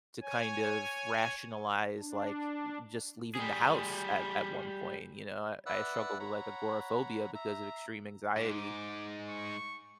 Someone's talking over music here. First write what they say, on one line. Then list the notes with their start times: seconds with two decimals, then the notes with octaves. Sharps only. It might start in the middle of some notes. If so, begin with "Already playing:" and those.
to kind of rationalize, like, just leaving the house at at one point, you know, I I struggled with like agoraphobia because of extreme anxiety,
0.22 C#5 G#5
1.99 D4
3.35 G3 G#4
5.66 B4 D5 E5 F#5 E6 F#6
6.19 C#5 F#5 A#5 B5
7.35 E5 A#5
8.37 G#2 D6
9.30 C#6